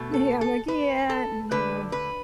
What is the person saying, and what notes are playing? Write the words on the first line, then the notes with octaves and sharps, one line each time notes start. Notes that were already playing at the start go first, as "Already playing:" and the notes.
Yeah, I'm like "Yeah, no,"
Already playing: B2 A3
A4
A4
B4
A4
D3 A3 B4
B4